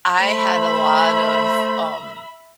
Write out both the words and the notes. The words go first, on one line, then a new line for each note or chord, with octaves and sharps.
I had a lot of, um
A3 C5 E5 B5